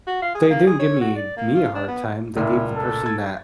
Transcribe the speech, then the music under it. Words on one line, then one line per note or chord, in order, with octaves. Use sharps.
They didn't give me me a hard time; they gave the person that
F#4
F4
G#4
A#3
G#4
C#5
F#4
D5
A#3
F4
D4
B3
C#2 A#2 E4
A4
G#6 A6